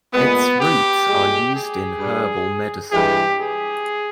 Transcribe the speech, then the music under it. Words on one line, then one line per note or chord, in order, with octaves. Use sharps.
Its roots are used in herbal medicine.
A#2 G#3 B3
G4
A#2 G#3
G#4
G2 G3
G2 E3 G#3 G4
G#4